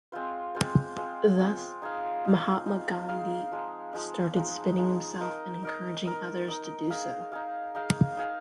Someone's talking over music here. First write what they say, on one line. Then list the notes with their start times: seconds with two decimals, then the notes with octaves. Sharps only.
Thus Mahatma Gandhi started spinning himself and encouraging others to do so.
0.12 G#3 C4 F4 C5
0.55 G#3 C4 F4 C5
0.97 G#3 C4 F4 C5
1.39 G#3 C4 F4 C5
1.82 D#4 G#4 F5
2.25 D#4 G#4 F5
2.66 D#4 G#4 F5
3.08 D#4 G#4 F5
3.51 F3 G#3 D#4
3.93 F3 G#3 D#4
4.36 F3 G#3 D#4
4.78 F3 G#3 D#4
5.21 D#4 A#4 D#5
5.63 D#4 A#4 D#5
6.05 D#4 A#4 D#5
6.48 D#4 A#4 D#5
6.90 D#4 G#4 F5
7.32 D#4 G#4 F5
7.75 D#4 G#4 F5
8.17 D#4 G#4 F5